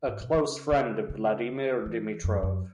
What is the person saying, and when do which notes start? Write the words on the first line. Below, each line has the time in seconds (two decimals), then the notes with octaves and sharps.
A close friend of Vladimir Dimitrov.
0.08 G#2
0.21 B2
0.34 C#3
0.72 C#3
1.10 C#3
1.86 E3
2.24 F#2
2.43 F#2